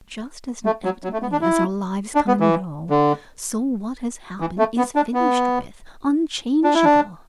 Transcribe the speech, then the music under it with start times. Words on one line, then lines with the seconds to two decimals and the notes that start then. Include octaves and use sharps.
Just as inevitably as our lives come and go, so what has happened is finished with, unchangeable.
0.66 A3
0.84 F#3
1.04 F#3
1.13 A3
1.22 B3
1.32 D4
1.41 E4
2.15 D4
2.28 B3
2.40 E3
2.90 D3
4.40 E3
4.58 A3
4.77 B3
4.96 D4
5.14 B3
6.64 D4
6.74 E4
6.84 D4